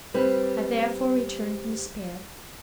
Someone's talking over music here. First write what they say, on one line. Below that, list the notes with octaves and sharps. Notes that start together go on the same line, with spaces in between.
I therefore returned in despair.
G3 C4 B4